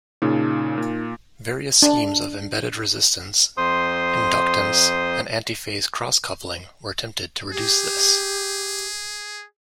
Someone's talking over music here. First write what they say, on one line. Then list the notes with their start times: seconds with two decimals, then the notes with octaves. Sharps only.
Various schemes of embedded resistance, inductance and antiphase cross-coupling were attempted to reduce this.
0.22 A#2 C#3 D#4
0.78 A#2
1.82 D4
3.57 F2 C5 C6 D#6
7.52 G4 G#4